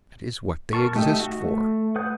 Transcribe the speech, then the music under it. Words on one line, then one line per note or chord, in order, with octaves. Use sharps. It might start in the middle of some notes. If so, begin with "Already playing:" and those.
That is what they exist for.
A#4 A5 C#6
A3 D#4 G4 D#5 E5
F#4
A3
B4 F#5 D#6 G6